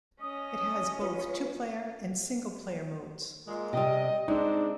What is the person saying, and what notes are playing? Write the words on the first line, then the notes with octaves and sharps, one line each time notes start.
It has both two-player and single-player modes.
C#4 D#5 D#6
F4 B4 C#5
A#2 G#3
C3 G3 D#5
G#3 C4 D4 D#4